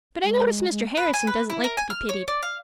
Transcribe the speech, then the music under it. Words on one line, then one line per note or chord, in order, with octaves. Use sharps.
But I notice Mr. Harrison doesn't like to be pitied.
G#3
G#3
B4
G#5
B4
E4
A#4
G#5
F6
C#5
D5
F5